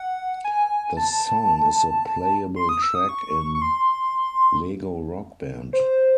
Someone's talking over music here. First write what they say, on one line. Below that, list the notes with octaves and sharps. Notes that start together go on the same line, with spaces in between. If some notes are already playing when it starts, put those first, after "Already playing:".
The song is a playable track in "Lego Rock Band".
Already playing: F#5
G#5
A5
C6
D#6
E6
D#6
C#6
C#6
C6
C5